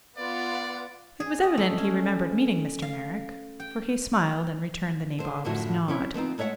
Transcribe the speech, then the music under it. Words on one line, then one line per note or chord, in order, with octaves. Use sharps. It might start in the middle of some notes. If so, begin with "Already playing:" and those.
It was evident he remembered meeting Mr. Merrick, for he smiled and returned the "nabob's" nod.
B3 F4 D5 F#5
G#4
D#5
A3
C#4
F5
G5
D3 C5
F#2 A2 D3 F3 E4 F#4
C4 C#4 E4
F3 B3 C4 D#4
G#3 A3 C#5 E5 F#5